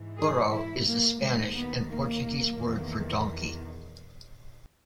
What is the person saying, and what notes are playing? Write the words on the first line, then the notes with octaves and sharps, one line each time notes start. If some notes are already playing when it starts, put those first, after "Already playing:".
"Burro" is the Spanish and Portuguese word for donkey.
Already playing: G#2 E3
G#4
E4
A#3
D#2 D#3 G#3
B3
A#3
E2 D#3